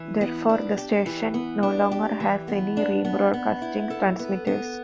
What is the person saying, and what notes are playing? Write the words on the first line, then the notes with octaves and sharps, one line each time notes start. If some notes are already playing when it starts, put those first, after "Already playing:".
Therefore, the station no longer has any rebroadcasting transmitters.
Already playing: E3
B3
D4
G4
E3
B3
D4
G4
E3
B3
D4
B3
B3
E4
A4
B3
B3